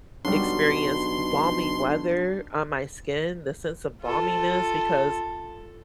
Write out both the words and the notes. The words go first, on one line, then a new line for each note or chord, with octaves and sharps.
experienced balmy weather on my skin, the sense of balminess, because
B1 F#3 G3 D4 C6
F4 A4